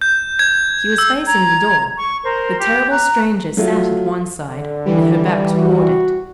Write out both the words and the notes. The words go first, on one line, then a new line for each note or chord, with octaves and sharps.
She was facing the door; the terrible stranger sat at one side, with her back toward it.
G6
G#6
E6
A#5 G#6
C#6
A#4 C5
G4
A#5 F#6
F#3 A3 F4
D3
E3 G3
F#4